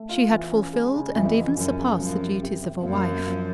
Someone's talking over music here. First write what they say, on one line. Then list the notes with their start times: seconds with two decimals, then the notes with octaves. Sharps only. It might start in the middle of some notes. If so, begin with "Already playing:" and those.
She had fulfilled and even surpassed the duties of a wife.
Already playing: A3
0.09 F4
0.30 E3
0.52 C#4
0.73 G#3
0.94 C#3
1.14 F2 E3
1.36 C#3
1.57 F#2 C#4
1.79 C#3
1.99 F#2 F3
2.21 C3
2.42 C3
2.62 C3
2.84 F#2 A#3
3.05 A#3
3.26 F3